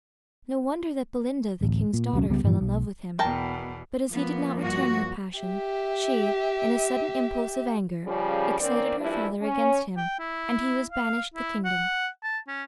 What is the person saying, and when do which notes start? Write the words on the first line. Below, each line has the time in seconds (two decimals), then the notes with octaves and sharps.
No wonder that Belinda, the king's daughter, fell in love with him; but as he did not return her passion, she, in a sudden impulse of anger, excited her father against him, and he was banished the kingdom.
1.61 D1 A1
1.93 A#2
2.13 D#1 C2 F#3 C#4
2.30 C#2 G3 B3
2.44 G2 A#2 E3 F3
2.60 B1
3.19 E2 B2 A#4 G5 A5
4.13 F3 A#3 B3
4.60 G2 F#4
5.39 G4 E5
8.05 C#3 F3 G3
8.59 D#3 A#3 C4 C#4 C5 D5
9.00 G2 A#2 F3 E4
9.41 C#4
9.97 G5
10.19 E4
10.92 F5
11.34 E4
11.65 F#5
12.24 A5
12.48 C#4